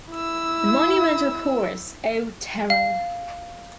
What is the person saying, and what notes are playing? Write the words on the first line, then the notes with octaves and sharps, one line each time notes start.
The monumental chorus O terror!
E4 E6
F5